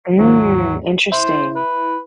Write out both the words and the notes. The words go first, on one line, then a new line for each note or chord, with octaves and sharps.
Mm, interesting.
D#2 G#2 F3 F#3
E4 C5
B4